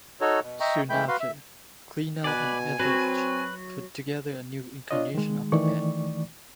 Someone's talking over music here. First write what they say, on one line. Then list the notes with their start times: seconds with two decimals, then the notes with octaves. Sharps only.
Soon after, Kleinow and Ethridge put together a new incarnation of the band.
0.21 D#4 F#4 A4 C#5
0.43 B2
0.60 D#5 E5 G5 A#5 C#6
0.90 E3 G#3 A3 G5 B5 G6
1.08 F#4 B4 F5 C6
1.20 E5
2.24 B2 B4 D5 G#5
2.79 F#3 C4 B4
4.91 D4 F4 C#5 D#5
5.15 D#3 G#3
5.52 D#3 E3 A3 D5 C#6